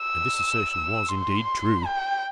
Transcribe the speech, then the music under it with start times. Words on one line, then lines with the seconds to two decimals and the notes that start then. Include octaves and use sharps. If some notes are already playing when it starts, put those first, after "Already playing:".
And this assertion was indeed true.
Already playing: E6
1.09 C6
1.86 G5